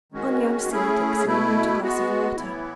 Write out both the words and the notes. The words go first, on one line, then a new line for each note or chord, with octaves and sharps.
Only I'm silly, Dixon, and want a glass of water.
D#3 G#3 C#4 F#4
A3 C#4 E4 G#4
B2 A3 E4
G#3 B3 F#4
A2 E3 B3 E4